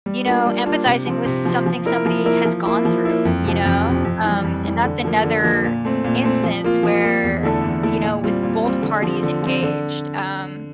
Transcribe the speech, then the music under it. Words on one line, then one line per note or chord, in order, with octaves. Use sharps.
you know, empathizing with something somebody has gone through, you know, um, and that's another instance where, you know, with both parties engaged, um,
G3
A#3 D4 F4
G3
A#3 D4 F4
C3
F3 C4
C3
F3 C4
F3
A#3 E4 A#4
F3
A#3 E4 A#4
F3
A#3 E4
F3
A#3 E4
F2
C3 F3
F2
C3 F3
F2
E3 G3
F2
E3 G3
D3
F3 A#3
D3
F3 A#3
A#2
A3 C4
A#2
A3 C4
F3
A#3 F4
F3
A#3 F4
E2
D3 A3 E4 A4
E2
D3 A3 E4 A4
A#2
G3 C4 F4
A#2
G3 C4 F4
D3
F3 C4
D3
F3 C4
D3